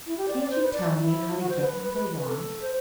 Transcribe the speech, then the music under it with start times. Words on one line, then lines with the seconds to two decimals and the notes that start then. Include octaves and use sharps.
"Can't you tell me how to get what I want?"
0.06 E4
0.17 G4
0.28 D5
0.40 D5
0.50 C5
0.62 B4
0.72 D5
0.95 E4
1.39 F#4
1.49 C5
1.61 B4
1.72 B4
1.82 B4
1.94 B4
2.16 B4
2.27 A4
2.62 C5